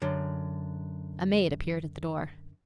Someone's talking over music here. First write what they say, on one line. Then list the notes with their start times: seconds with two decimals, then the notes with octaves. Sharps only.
A maid appeared at the door.
0.02 F#2 D3